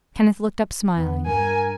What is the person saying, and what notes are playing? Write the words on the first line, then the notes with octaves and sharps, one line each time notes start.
Kenneth looked up smiling.
E2 B3
G2 A#4 G#5